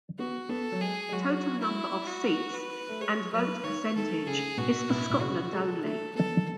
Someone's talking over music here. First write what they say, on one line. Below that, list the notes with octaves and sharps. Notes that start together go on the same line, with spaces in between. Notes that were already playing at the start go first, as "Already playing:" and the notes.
Total number of seats, and vote percentage, is for Scotland only.
B3 F#4
B3 A4
F#3
G#3 G#4
G#3
F#3 F#4
E4
F#4
B4
A3
G#3 C#5
F#3 B4
D#3 C#5
D#3 A4
C#3 G#4
B2 F#4
B2 E4
B2
C#3 F#4
G#3 A4
A3 A4
B3 A4